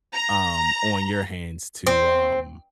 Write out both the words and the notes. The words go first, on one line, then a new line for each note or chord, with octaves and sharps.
um, on your hands to, um,
A#5
C4